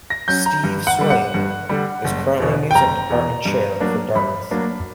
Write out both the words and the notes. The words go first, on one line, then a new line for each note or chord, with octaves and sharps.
Steve Swayne is currently music department chair for Dartmouth.
A#6
F#3 C#4 G6
A#5
G2
F#5
D3 G3
F#5
G2
D3 G3
F#1
E2 B2
G5
F#1 A#5
E2 B2
G2
F#3 A#3 D4
G2 B5
F#3 A#3 D4